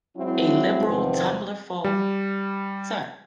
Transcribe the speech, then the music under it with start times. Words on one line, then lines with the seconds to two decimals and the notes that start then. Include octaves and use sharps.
A liberal tumblerful, sir.
0.17 F#3 G#3 C4 E4
0.86 E2 C3 D#3 F3 B3 C4
1.84 G3